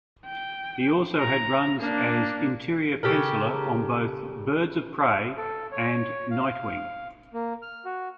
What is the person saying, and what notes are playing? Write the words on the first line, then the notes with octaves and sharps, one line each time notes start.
He also had runs as interior penciler on both "Birds of Prey" and "Nightwing".
G5
A#5
A#3 D4
C#3 G4 A4 A#4
A4
C#5
F5
A#3
F6
F#4